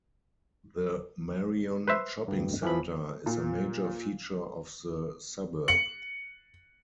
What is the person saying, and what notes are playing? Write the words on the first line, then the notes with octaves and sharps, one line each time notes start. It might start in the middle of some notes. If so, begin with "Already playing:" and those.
The Marion Shopping Centre is a major feature of the suburb.
B4 C5 E5
D2 G2
E3 F3 B5
A#2
C#7 F#7